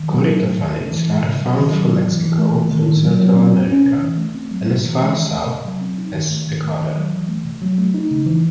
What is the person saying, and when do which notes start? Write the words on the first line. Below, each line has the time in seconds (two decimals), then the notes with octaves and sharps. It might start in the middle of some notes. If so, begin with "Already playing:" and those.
Corytophanids are found from Mexico, through Central America, and as far south as Ecuador.
Already playing: D#3
0.09 F#3
0.25 F#3
0.42 A3
0.58 D#3
0.75 A3
0.91 E3
1.08 G#3
1.23 C#3
1.40 F#3
1.57 D#3
1.72 F#3
1.89 C3
2.06 E3
2.22 E3
2.38 A3
2.55 C3
2.70 D#3
2.87 D#3
3.03 F#3
3.20 F#3
3.36 C4
3.52 A3
3.68 C#4
3.86 C3
4.01 E3
4.18 A3
4.34 C4
4.51 F#3
4.66 A3
4.84 E3
5.00 G#3
5.16 D#3
5.33 A3
5.49 C3
5.65 F#3
5.81 C4
5.98 D#4
6.14 D#3
6.30 A3
6.47 D#3
6.64 A3
6.79 D#3
6.96 F#3
7.13 E3
7.29 A3
7.44 C3
7.62 F#3
7.78 A3
7.94 D#4
8.11 C#3
8.26 E3